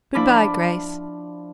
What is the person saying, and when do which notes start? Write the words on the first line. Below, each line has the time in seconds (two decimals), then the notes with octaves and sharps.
Good-bye, Grace.
0.15 F3 D4 E4 B5 D6